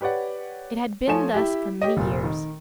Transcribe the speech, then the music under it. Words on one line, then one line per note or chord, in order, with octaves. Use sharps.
It had been thus for many years.
G4 B4 C#5 D5 F#5
F3 A3 C#5 G#5 E7
E4 G4
G4 C#5 D#5
F1 A#2
D#3